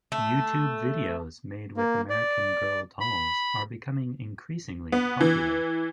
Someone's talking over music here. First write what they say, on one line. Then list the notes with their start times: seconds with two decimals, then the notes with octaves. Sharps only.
YouTube videos made with American Girl Dolls are becoming increasingly popular.
0.12 A3
1.77 A#3
2.10 D5
3.01 B5
4.92 B3
5.20 E3